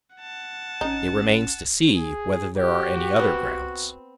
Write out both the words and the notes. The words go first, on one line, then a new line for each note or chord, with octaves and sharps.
It remains to see whether there are any other grounds.
F#5 A5
G#1 C#4 D#4
G#4
F#4 G4
B3 C4